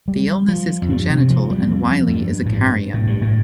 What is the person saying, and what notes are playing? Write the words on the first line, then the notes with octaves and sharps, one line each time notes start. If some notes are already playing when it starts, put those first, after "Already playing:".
The illness is congenital and Whiley is a carrier.
G3
F3
F2
G2
C3
F3
G3
G2
F2
F2
G2
A2
G2
A2
G2
A2